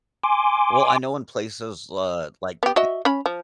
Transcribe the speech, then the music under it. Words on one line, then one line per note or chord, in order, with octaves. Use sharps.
Well, I know in places, uh, like d
G#5 C6 D6
B3 G4
F#4 D#5 E5
C#4 B5
F3